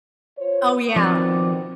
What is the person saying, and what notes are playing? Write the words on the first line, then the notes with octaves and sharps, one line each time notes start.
Oh, yeah,
F4 C5 C#5
B2 D#3 F3 C4 D5